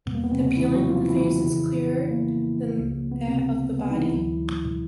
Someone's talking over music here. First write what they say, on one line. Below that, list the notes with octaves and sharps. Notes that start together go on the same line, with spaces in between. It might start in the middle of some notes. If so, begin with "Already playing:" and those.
The peeling of the face is clearer than that of the body.
E2 B2 G3 B3
A#3
B3
C3 C4
C#3 C#4
E3 E4
F#3 F#4
F3 F4
E3 E4
F2 C#3 F3
B3
A#3
C#2 C#3 F3
B3
C3 C4
B3
D#4
E3 E4
D2 D3 F#3